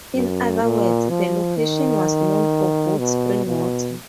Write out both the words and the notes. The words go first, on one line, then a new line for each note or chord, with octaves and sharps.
In other words, the location was known for good spring water.
F#2
A#2
F3
D#3
B2
B2